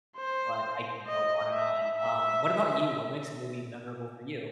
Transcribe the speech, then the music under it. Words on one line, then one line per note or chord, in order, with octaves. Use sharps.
but I could go on and on. Um, what about you? What makes a movie memorable for you?
C5
D#5
E5
E5